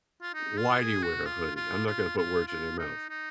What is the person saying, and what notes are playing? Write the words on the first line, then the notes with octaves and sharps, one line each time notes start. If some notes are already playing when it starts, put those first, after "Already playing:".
why do you wear a hoodie? I'm not gonna put words in your mouth,
F4
D#4
F4
G#4
F#4
F4
F4
F4
F4
F4
D#4
D#4